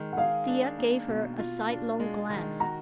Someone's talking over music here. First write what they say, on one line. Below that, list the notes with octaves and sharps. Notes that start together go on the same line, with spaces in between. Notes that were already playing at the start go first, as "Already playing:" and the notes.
Thea gave her a sidelong glance.
Already playing: D#3 G#3
F#5
G#4 F5
D4
A#3
B2
F4
D4
G#3
D#3
F#4 A#5